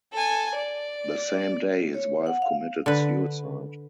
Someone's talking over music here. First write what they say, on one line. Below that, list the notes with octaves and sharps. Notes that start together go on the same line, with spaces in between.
The same day his wife committed suicide.
A4 G#5
D5
C#5
F#5
F5
D3 B4